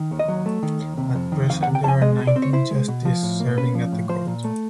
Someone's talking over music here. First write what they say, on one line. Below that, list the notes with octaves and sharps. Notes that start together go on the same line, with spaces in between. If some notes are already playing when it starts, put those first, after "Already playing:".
At present there are nineteen justices serving at the Court.
Already playing: D#3
D#2
D#5
F#3
A3
D#3
D#2
C3
F2
D#3
F2 F5
F#5
C3
G5
F2 G#5 A5
G#3 D#5
B2
D5
C4
C#5
E4 C5
G#3
B2
F3
A2
A#3
C#4 B4
F3
A2
F3 C5
A#2
A3